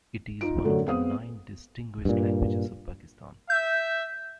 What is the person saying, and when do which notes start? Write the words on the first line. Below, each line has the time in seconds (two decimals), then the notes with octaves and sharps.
It is one of the nine distinguished languages of Pakistan.
0.41 D#4 F4 D7
0.64 F#2 A2 D3 F#3 A3
0.86 G#3 B3 C4 F5 D#6
2.05 G2 A#2
3.50 E5 G6